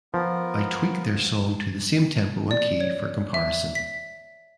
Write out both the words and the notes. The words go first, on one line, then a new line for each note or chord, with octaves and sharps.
I tweaked their song to the same tempo and key for comparison.
F3 B3 A#4
D5
C#5
E5
B6